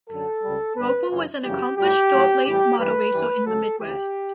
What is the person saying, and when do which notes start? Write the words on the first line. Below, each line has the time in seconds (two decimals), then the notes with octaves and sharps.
Roper was an accomplished dirt late model racer in the Midwest.
0.09 F#2 D3 F#3 A4
0.43 C#2 C#3 G3
0.76 G2 D3 G3 B4
1.11 F#2 C#3 E3
1.44 F#2 C#3 E3 G3 G4
1.78 A2 G3 G4
2.11 A2 F#3
2.45 A2 E3 G3 G4
2.79 G2 E3 G3 B4
3.12 G2 E3 G3
3.46 C#2 C#3 F#3 A4
3.80 D2 C#3 E3 G4